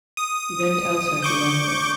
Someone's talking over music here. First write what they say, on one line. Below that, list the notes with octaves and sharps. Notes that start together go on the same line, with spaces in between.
He then tells her he loves her.
D#6
C#6 D6 G6